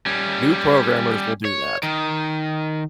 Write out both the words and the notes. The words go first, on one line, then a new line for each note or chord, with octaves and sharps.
New programmers will do that.
G3 C#4
C#5
D#3